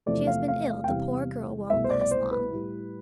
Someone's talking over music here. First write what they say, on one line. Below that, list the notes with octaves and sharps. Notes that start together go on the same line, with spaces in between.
"She has been ill; the poor girl won't last long."
E2 C3 F3 A3 D5
F5
F5
F5
G5
E2 C3 G3 F5
C2 B2 A3 E5
C5
D5
D5
C5
B4
A2 G3